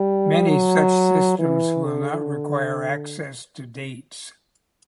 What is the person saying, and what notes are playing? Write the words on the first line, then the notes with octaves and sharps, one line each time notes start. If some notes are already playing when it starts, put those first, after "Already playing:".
Many such systems will not require access to dates.
Already playing: G3
F#3
E3
D3